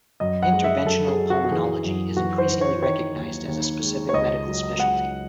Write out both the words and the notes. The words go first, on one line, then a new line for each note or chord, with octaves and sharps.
Interventional pulmonology is increasingly recognized as a specific medical specialty.
F#2 D#5
F#5
G#3
E5
F#2 A4
G#4
F#3
F#4
F#4
E3 G#4
F#2
E3 F#4
C5
E3
C#5
D#3 C#5
D#2
D#2
G#3
C#5
C#2 D#5
F#3
C#2 F#5